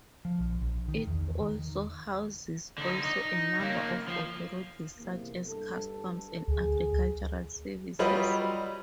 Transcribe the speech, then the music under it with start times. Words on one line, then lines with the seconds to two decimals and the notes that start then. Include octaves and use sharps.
It also houses also a number of authorities such as customs and agricultural services.
0.25 F3
0.39 A#1
0.61 A#1
0.88 D#3
1.07 E2
1.40 D#3
2.78 D3 D#4
3.04 D#4
3.60 F#2 A#3
4.08 F3
4.97 E2 C3 A#3
5.47 G2 A4
6.48 D2 G#4
7.99 F#3 G3 F4 B4 D#5